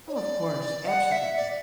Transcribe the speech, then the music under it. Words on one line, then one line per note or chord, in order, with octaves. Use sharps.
Oh, of course, absolutely.
C#5
D5
F#5
E5
D5